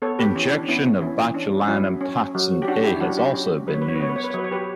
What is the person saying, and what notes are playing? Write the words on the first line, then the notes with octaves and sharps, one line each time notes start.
Injection of botulinum toxin A has also been used.
B3 A4 C#5
G4 B4
E3 C#4
D4
B3 C#4 E4
E3 C#4 E4
C#4 D4
F#3 C#4 E4
C#4
F#3
G4
C#4 D4 F#4
E4 G4
E4
F#3 D4 F#4
E4 G4
C#4
F#3 B4
C#5
B4
C#5
B4
B3 C#5
B4
C#5
B4
C#5
F#3 B4
C#5
G4 B4